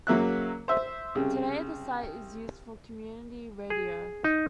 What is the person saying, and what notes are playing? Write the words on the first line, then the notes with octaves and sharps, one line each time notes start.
Today the site is used for Community Radio.
C#3 F#3 A#3 E5 F#6
C5 E5
C2 C#3
G#4
D#4